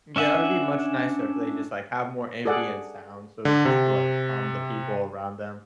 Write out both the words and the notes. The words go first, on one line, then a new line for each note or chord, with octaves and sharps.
Yeah, it would be much nicer if they just, like, have more ambient sound, so just to, like, calm the people around them
C#4 D4 E5 F#5 G#5
G#4 A4 D5 F#5
D3
C3